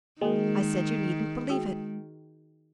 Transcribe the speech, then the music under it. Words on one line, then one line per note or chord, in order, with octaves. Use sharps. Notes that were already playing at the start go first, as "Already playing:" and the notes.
I said, you need n't believe it.
D#3 G#3 A#3 F#4 A#4
F#4 G#4 G5